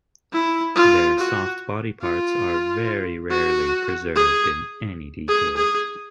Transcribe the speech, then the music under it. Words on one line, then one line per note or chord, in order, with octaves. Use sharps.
Their soft body parts are very rarely preserved in any detail.
E4
F4
F#4
F4
F#4
G#4
G#4
G#4